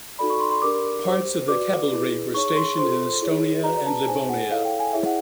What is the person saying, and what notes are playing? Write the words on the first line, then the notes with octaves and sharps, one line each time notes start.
Parts of the cavalry were stationed in Estonia and Livonia.
D#4 F#4 A4 D5 B5
C#6
C6
C6
D4 G4 A#4 D5 D6
G4 C5
F#4 B4 D5 D6
E4 G#4 B4
D#4 G#4 C#5 C#6
C#6
C6
F4 A4 C5 C6
E4 G#4 C#5
F#4 B4 D5 A#5
A5
D#4 G#4 C5 G#5
F#5
E4 A4 C#5 F5
G5
G#5
E4 G#4 C#5 E5
F#5